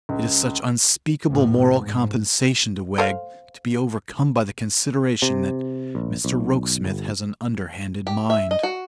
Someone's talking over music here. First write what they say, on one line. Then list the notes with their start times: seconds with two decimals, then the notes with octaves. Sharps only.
It is such unspeakable moral compensation to Wegg, to be overcome by the consideration that Mr Rokesmith has an underhanded mind!
0.09 C#2
1.29 E2 A2
1.73 G#2
2.98 A4 C5 F5
5.22 C3
5.95 A#1
6.25 B1
6.84 G1
8.07 G4
8.30 E5
8.51 D#5
8.63 F#4